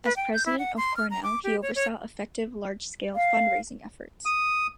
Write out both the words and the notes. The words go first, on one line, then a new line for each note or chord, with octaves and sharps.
As president of Cornell, he oversaw effective large-scale fundraising efforts.
B4
G5
G6
E4
F#5
C6
F6
A#5
D6
G4
C#5
C#5
F5
D#6